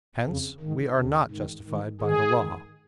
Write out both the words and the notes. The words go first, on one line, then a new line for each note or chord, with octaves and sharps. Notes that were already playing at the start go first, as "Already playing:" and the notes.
Hence, we are not justified by the Law.
F2 C#3
G#2 D#3
D#2 C#3
G#2 D#3
G#2 D#3
G#2 D#3 G#4
G#2 D#3